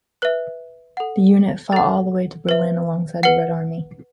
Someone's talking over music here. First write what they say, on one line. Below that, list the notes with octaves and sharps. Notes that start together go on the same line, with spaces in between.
The unit fought all the way to Berlin alongside the Red Army.
B4 E5 F#6
A4 F#5
A4 F#5 A6
B4 E5
B4 F#5 C#7